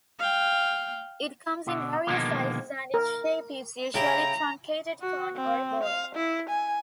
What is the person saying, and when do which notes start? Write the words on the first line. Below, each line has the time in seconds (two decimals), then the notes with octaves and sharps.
It comes in various sizes and its shape is usually truncated cone or ball.
0.19 F5 G5
1.67 B2 D3
2.07 B2 D3 D#3 F3 G#3 A#3
2.94 A#4
3.94 C#3 E4 G4 A#5
5.01 F#4
5.36 C4
5.83 F5
6.15 E4
6.50 G#5